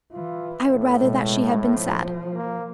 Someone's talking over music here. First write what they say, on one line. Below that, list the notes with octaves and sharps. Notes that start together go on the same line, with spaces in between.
I would rather that she had been sad.
E3 F4
A2
B2 G#3
F3
A#3